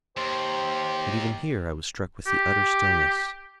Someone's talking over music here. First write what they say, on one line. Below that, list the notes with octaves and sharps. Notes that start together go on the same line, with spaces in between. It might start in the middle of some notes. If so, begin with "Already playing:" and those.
But even here I was struck with the utter stillness.
D#2 G4 C5
G4